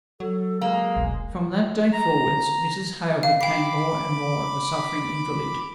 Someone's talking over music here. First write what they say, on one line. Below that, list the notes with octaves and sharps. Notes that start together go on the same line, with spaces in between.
From that day forwards Mrs. Hale became more and more of a suffering invalid.
F#3 A4
G#3 A#3
E1 B1
A#5
F5
G5 B5 D6 C7